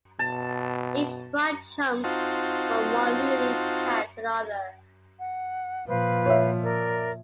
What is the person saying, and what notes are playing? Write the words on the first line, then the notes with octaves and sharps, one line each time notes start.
Each frog jumps from one lily pad to the other.
B2 A5
C4 D#4 F4 F#4 A5
F#5
A#2 F3 B4 C5 F5
C#5 E5
A#4 D5